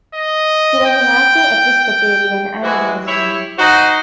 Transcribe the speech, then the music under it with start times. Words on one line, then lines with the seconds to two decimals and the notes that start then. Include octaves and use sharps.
He was an active Episcopalian and a Mason.
0.15 D#5
0.86 G5
1.84 G5
2.62 E3 G#3 C4 E4 F#4
3.07 E4 G4 C#5 E5
3.58 D#4 F#4 C5